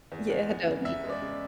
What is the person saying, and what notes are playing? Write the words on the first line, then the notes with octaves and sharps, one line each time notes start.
Yeah, I don't need it.
E2
E2
B3
C#3
C#3 E5
G#3
D5
C#3